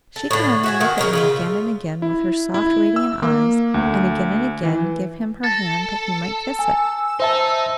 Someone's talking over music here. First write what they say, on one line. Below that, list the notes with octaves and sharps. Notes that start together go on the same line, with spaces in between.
She could only look at him again and again with her soft, radiant eyes, and again and again give him her hand that he might kiss it.
A4
A2 D3
F#4 E5 G#5
D#3 F#4
C#3 F#3 A#4 D#5
C#3 F4 E5
E4
E4
E6
A#3
D2
E3
A4 A5 A6 A#6
G#5 E6
D#4 C5 E5 A5